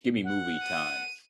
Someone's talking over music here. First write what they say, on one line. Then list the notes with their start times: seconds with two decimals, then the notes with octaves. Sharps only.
Gimme movie times.
0.24 F#5
0.64 D#7